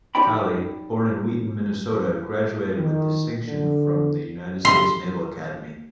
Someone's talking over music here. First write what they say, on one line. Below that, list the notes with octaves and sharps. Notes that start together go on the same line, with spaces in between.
Colley, born in Wheaton, Minnesota, graduated with distinction from the United States Naval Academy.
D#4 G4 C#5 D5 G5 B5
D#3
D3
C6